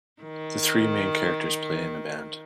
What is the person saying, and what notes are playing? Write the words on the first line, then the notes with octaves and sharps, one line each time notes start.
The three main characters play in a band.
D#3